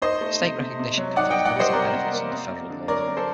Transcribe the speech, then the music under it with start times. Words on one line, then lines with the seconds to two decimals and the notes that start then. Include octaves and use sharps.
State recognition confers limited benefits under federal law.
0.02 D#4 C5 D#5
0.21 A3
0.40 C3
0.60 C3
0.79 C3
0.98 F#3
1.16 D#4 D5 F#5
1.30 D#5 G5
1.36 D#4
1.45 D5 F#5
1.55 G3 C5 D#5
1.73 C3 A#4 D5
1.93 C3
2.12 A#3
2.31 C4
2.50 C4
2.70 D3
2.88 F#3 A#4 D5
3.08 C4
3.17 A4 C5